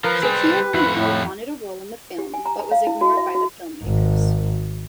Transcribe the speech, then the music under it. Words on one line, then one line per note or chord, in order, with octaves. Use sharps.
Shaquille O'Neal wanted a role in the film but was ignored by the filmmakers.
F3 A#4 B4
G3 C4 G#4
F2 E4 F#4
A2 E4
G4
G#5
A#5
A5
F5
E4
F#4
E5
F#4
G#1